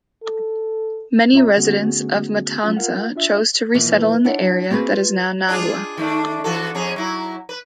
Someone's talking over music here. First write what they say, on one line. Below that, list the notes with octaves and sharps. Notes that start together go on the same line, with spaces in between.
Many residents of Matanza chose to resettle in the area that is now Nagua.
A4
D2 C4 F4 C#5 E5 A#5
D3 A3 B3 C#4 F#4 G#4
F#3 C#4 F4
F4 A#4 F5 F#5
D4 F4 E5
B2 E3 F3 A#3 B3
D4 E4 C#5 F#5
A#3 C4 F#4 G#4 B4
F4
D4 F4 G#4
D#3 A3 D4
E3 F#4 A4
F2 C#4 G#4
F#3 E4
B4